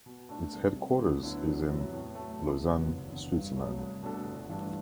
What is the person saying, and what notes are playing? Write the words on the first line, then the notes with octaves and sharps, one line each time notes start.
Its headquarters is in Lausanne, Switzerland.
B2
A3 D4
C2
C3 F#3
D2
D3 F#3 B3 E4
E2
C3 F#3 B3 E4
A2
F#3 A3
E1
D2 C3 E3 B3
F#1
E2 D3
G2
F#3 A3
C2
B2 A3 D4 A4
G1
G2 E3 A3 D4